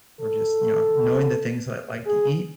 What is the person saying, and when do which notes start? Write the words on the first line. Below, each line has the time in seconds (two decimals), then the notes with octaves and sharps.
or just, you know, knowing the things that I like to eat,
0.21 A4
2.07 G#4